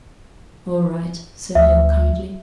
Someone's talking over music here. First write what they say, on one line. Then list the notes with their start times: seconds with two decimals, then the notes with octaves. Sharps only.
"All right," said Hale kindly.
1.55 D2 E5